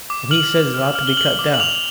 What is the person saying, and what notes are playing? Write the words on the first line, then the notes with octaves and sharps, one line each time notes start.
And he says it ought to be cut down.
D6
F6 F#7
F6
F6
F6
G7
F6 F#7
D6
F#7
F6 F7